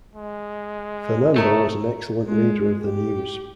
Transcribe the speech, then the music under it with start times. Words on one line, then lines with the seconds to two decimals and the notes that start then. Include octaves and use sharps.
Fernando was an excellent reader of the news.
0.15 G#3
1.36 A3 D#4 A#4 C#5
2.28 G#3
2.84 G4